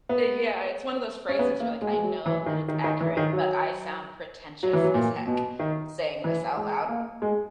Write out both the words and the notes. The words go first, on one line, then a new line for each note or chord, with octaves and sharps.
Yeah, it's one of those phrases you're like, "I know that it's accurate, but I sound pretentious as heck, saying this out loud."
B3
C#4
B3
A#3
G#3
G#3
F#3
E3
D#3
D#3
D#3
E3
D#3
F#3
F#3
E3
F#3
A#2
B2
D#3
E3
G#3
A#3
G#3